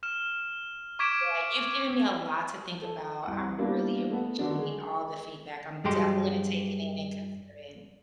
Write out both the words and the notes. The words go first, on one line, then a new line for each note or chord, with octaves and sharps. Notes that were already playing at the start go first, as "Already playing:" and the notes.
yeah, you've given me a lot to think about, I really appreciate all the feedback, I'm definitely gonna take it in and consider it.
F6 E7
C#6 D6 G#6 B6 D7 E7
A4
C2 F#5
G3 A#3 B3 D4 E4 F4
A3 B3
D3 D#3 F#3 D4
G#3
G2 F#3 G#3 G4 C6